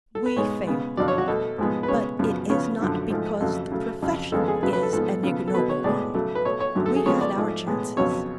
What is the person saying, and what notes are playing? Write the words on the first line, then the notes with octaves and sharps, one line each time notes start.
We fail, but it is not because the profession is an ignoble one; we had our chances.
A4
B4
G#2 G#3 B3 C#5
C#3 G#3 B3
F2 D3 F#3 D5
C#5
F#4
B2 A3 A4
G#2 F3 G#3 B3
B4
C#3 G#3 B3 C#5
F#2 C#3 F3 B3
C#3 F3 B3 C#5
F#2 D3 F3 A3
G#2 F3 A3
F2 C#3 F#3 A3
C#3 F#3 A3
F2 C#3 F#3
F2 C#3 G#3 B3 A4
G#4
F2 C#3 F#3 A3 B4
B4
A4
G#2 F3 B3 A4
C#3 F3 B3
A4
B2 F#3 B3 B4
C#5
A2 G#3 B3 D5
C#3 F#3 A3
B4
B2 A3 C#5
C#5
F#2 D3 F#3 A3
A4
G#4
C#3 F3 G#3 B3 C#5
D5
G#2 F3 A3
A2 G#3 B3
F2 C#3 F#3 B3 C#5